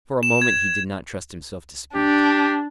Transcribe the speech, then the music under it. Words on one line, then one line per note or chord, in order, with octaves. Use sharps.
For a moment he did not trust himself to speak.
E7
G#6
D4 G4